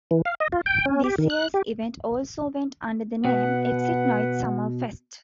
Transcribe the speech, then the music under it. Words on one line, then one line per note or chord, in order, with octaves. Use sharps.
This year's event also went under the name 'Exit - Noise Summer Fest'.
E3
F5
D#5
F4
G5
C#4
G4
D#3
F#6
G4
B2 B4 F#5